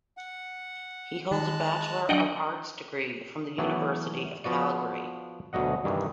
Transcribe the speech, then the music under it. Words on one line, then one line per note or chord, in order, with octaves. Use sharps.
He holds a Bachelor of Arts degree from the University of Calgary.
F#5
D#3 G#3 A5 F#6
F#3 D4 D#5 F#5 G5
E3 F#3 A3 B3
F3 B3 F#4 D5
D2 B2 F#3 D#5 F#5
G2 C3 D#3 E3